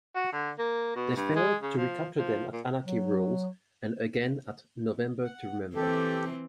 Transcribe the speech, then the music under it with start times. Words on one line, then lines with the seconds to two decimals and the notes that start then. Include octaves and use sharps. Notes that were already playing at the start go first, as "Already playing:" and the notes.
They failed to recapture them at Anarchy Rulz and again at November to Remember.
0.16 F#4
0.32 D3
0.58 A#3
0.96 B2
1.16 G2
1.36 G#3
1.63 C#3
1.77 F3
2.18 F3
2.52 A#2
2.85 F#3
5.24 F#5
5.75 E3 C4 G4 A4